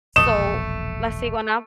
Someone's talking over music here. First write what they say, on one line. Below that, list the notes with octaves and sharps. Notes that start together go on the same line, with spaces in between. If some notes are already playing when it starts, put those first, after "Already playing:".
So, La Siguanab
E1 A#1 A3 D#5 E7